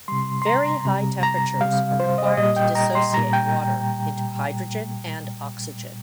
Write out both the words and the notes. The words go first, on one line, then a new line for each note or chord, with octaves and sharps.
Very high temperatures are required to dissociate water into hydrogen and oxygen.
C3 G3 C6
C6
A#5
C3 G3
A#5
C3 G3 F5
C5
D#5
A#2 G3 D#5
G5
A#5
C6
A#2 G3 A#5
G5